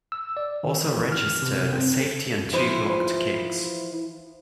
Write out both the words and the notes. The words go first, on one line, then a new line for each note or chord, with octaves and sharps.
Also registered a safety and two blocked kicks.
E6
D5
D#3
E3
F6
C3
C4
A4
E3 F3 E4 B4 C5